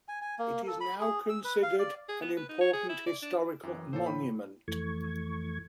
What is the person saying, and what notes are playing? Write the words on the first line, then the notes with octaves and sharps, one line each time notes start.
It is now considered an important historical monument.
G#5
G#5
A#3
A4
B5
G#4
E6
B4
F5
D5
G#4
B3
B4
D#4
C#5
G#4
E4
D5
D4
F#2 E3 G5 D6 F#6
A2 E3 A3 A#3 E4 A4 C5 C#5
G5 B5
F2 E3 A3 C#6 G#6